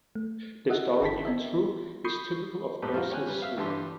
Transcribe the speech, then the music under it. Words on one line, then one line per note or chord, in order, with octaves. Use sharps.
The story, if true, is typical of Goldsmith's humour.
A3
E4 F#4 D#5 E5 F#5
G1 E4 G5 A5 B6
B3 C4 A#4 D#5 E5
B5 C#6 D#6 G6 C7
F2 A2 G4 A4 B4 C5
F3 G3 A#3 F4 F#4
C#5 G5 G#5 F#6
G3 B4
E5 F5
G2 E3 D4 G4 A4 C6